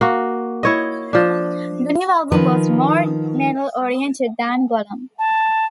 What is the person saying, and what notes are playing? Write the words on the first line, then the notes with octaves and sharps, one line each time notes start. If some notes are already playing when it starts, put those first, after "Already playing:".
The new album was more metal oriented than "Golem".
A#3 F#4
E4 C#5 D#5
F3 D4
D#3 F3 B4
A5